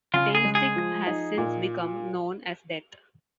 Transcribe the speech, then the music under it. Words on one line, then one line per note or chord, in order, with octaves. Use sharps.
Taintstick has since become known as Death!
C#3 F4
G#4
G#3
G#4
F3
D#4
A#2